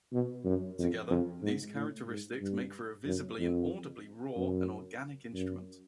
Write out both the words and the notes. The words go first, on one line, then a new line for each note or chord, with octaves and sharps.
Together, these characteristics make for a visibly and audibly raw and organic instrument.
B2
F#2
F2
F2
G#2
A2
G#2
G2
F#2
F2
F#2
F#2